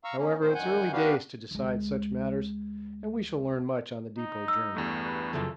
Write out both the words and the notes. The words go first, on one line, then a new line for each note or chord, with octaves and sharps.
However, it's early days to decide such matters, and we shall learn much on the depot journey.
F5 A#5 C#6 E6
A#3 C#4
A#2 A3 C4 C5
F#2 D#3 F#5 G#5 G6
B3 D4 F#4 G4 B4 F5
D2 G#3
D#4
E6
E2 G2 A3
B4
F#2 C#3 F3 A4